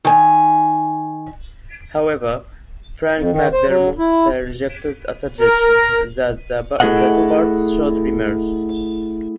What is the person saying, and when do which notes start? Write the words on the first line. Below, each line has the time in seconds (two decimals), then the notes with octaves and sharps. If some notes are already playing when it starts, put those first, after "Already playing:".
However, Frank MacDermot rejected a suggestion that the two parties should merge.
0.05 D#3 G#5
3.19 F2
3.32 D#3
3.52 C5
3.68 F#3
3.99 E4
5.40 A#4
6.80 A3 E4 G#4 A4 D#5 F#5